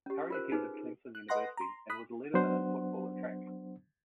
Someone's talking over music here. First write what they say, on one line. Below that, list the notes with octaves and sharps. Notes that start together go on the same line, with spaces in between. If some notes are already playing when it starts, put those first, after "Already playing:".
Currie attended Clemson University and was a letterman in football and track.
C#4 G4
F4 A#4 C5
D#4 G#4 B4
F#6
B4 D#5 F#5 C6 F#6 A#6
A#5 C6
B5 D#6 F#6 B6
F#3 B3 D4 C5 F#5